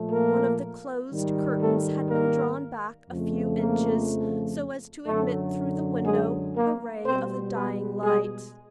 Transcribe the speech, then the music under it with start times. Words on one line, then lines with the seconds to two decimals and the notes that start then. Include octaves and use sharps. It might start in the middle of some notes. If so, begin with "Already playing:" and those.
One of the closed curtains had been drawn back a few inches, so as to admit through the window a ray of the dying light.
Already playing: A#2 F3 A3
0.12 A#3 A#4
1.10 G#2 D#3 G3
1.60 A3 A4
2.10 A#3 A#4
3.09 F2 C#3 F3 A3
3.58 A#3 A#4
5.06 F#2 D3 F#3 A3 A4
6.05 G#3 G#4
6.56 A#3 A#4
7.05 B2 G3 C4 C5
7.54 B3 B4
8.04 G#3 G#4